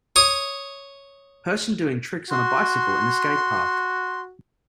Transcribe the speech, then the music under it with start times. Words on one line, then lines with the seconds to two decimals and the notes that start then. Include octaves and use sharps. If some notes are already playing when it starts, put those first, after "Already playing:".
Person doing tricks on a bicycle in a skatepark.
0.16 C#5 D#6
2.31 F#4 C6